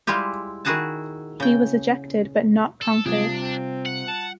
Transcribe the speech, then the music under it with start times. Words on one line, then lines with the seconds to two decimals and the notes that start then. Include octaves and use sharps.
He was ejected but not conquered.
0.07 G3 G#3 E4 F4 G4
0.65 D#3 E4 F#4 G#4 F#5 A5
1.40 C#3 G5
2.82 A4
3.06 C3 G3 D4 F4 G#4
3.41 C4
3.86 F#5
4.08 A5